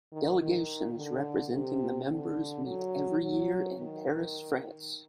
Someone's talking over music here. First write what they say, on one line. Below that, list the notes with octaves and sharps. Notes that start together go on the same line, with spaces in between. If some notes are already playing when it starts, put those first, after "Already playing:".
Delegations representing the members meet every year in Paris, France.
D#3
D#3
D3
C3
D3
F#3
F#3
D#3